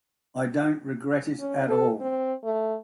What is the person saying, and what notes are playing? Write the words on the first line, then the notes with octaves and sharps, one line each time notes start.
I don’t regret it at all.
C#4
A4
C4
A3